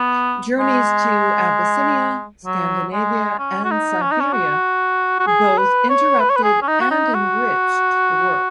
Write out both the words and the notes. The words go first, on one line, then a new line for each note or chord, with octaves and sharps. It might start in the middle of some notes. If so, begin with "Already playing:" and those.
Journeys to Abyssinia, Scandinavia and Siberia both interrupted and enriched the work.
Already playing: B3
G#3
F#3
G#3
C#4
F#4
D#4
C#4
D#4
C#4
F#4
F#4
G#4
B4
C#5
B4
C#5
B4
G#4
C#4
D#4
F#4
D#4
F#4